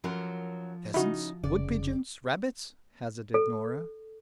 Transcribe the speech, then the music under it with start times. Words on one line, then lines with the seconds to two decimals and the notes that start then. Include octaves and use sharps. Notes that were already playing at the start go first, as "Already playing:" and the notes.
"Pheasants, woodpigeons, rabbits," hazarded Norah.
0.04 F#2 F3 F#3 A#4
0.94 C#3 D#4 E4 F#4
1.43 F1 C#3 D5
3.34 A4